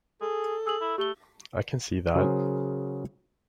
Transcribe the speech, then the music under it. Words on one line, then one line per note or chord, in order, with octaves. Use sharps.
I can see that.
G#4 A4
G#4 E6 F#7
E4
A3 G4 G7
C#3 F#3 G#4 A#4 C5